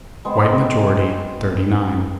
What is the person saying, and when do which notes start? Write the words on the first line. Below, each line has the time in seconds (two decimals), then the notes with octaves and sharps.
White majority, thirty-nine.
0.25 G#3 B3 C4 C5